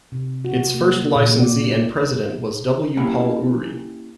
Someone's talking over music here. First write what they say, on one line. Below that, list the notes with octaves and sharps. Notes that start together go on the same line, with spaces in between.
Its first licensee and president was W. Paul Oury.
C3
F#4
A#3
A#2
D5
A#3 C#4 E4 G4 F5 B5